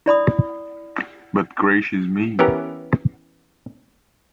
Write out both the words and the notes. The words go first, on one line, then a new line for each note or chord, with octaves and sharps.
But gracious me!
E4 D5 B5 D#6
E3 B3 C#4 G4 A#4